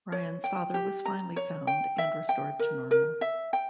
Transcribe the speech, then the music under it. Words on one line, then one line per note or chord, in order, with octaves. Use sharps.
Ryan's father was finally found and restored to normal.
C#5
G5
G4
A#5
C#5
G5
E5
G5
A#4
A#4
E5
G5